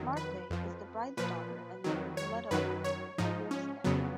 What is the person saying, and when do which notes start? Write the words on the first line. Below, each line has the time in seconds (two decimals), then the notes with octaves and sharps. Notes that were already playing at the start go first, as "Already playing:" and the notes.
Marthe is the bride's daughter and Ludovic is the groom's nephew.
Already playing: F2 D#3 F#3
0.17 B4
0.50 F2 F3
1.17 A#2 F3 B4
1.84 F2 D#3 F#3
2.17 C#5
2.51 F#2 D#3 F#3 B4
2.84 C#5
3.18 G#2 F3 D#4
3.51 C#4
3.84 F2 C#3 F#3 B3